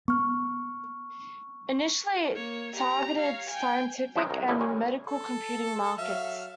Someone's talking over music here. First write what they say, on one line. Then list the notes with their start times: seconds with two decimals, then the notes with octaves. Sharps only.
Initially, it targeted scientific and medical computing markets.
0.08 B3 C#6 F6
2.35 A#3 C#5
2.76 G4 A#5
3.19 C#5 F5
3.50 G5 G#5
4.16 C#3 E3 F3 G#3 C4 D#4
4.30 C2 A#4
4.48 A1 A2 G3 G#3 E4 G#5
4.60 A#2 C#4 G4
5.07 A4
5.98 F#3 E5 F5